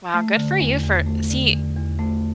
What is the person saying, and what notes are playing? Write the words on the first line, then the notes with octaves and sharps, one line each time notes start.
Wow, good for you for See,
A3
D3
E2
E2
A3
D3
E2
E2
A3